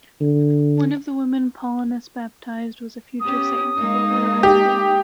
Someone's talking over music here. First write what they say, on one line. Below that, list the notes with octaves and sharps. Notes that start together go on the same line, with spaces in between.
One of the women Paulinus baptised was a future saint, Hilda of Whitby.
D3
B3 C#4 G4 D#6
G#3 A#3 D#4
G4